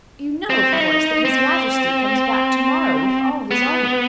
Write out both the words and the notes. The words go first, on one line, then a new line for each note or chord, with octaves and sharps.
"You know, of course, that his Majesty comes back to-morrow with all his army."
C4
E4
D#4
C4
B3